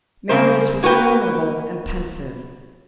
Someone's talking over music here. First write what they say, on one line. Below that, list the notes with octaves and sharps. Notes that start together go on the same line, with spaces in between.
Marius was formidable and pensive.
C#3 G3 C4 A#4 C5
A#3 F#4 A#4 B4 G5